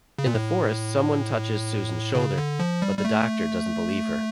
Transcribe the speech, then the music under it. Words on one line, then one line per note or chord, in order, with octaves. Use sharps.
In the forest someone touches Susan's shoulder, but the Doctor doesn't believe her.
C#3
A#2
A2
C#3
D3
F3
G3
G3
A3